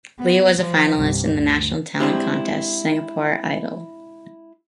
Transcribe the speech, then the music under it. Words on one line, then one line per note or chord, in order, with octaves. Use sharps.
Lee was a finalist in the national talent contest, "Singapore Idol".
B3
F3
C2 G2
D2
G#3 A#3 C4 D4 E4 G4